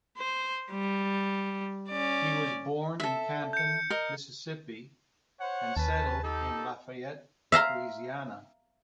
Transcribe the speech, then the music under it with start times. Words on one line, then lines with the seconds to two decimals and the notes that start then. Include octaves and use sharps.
He was born in Canton, Mississippi, and settled in Lafayette, Louisiana.
0.17 C5
0.71 G3
1.89 C#4 D5
3.00 A4 E5
3.53 G6 C#7
3.90 A#4 D#5
5.39 C5 C#5 F#5
5.77 D#2 C#4 B4 A5
6.23 D#4 G4 A4
7.52 E5 F5 A#5 C6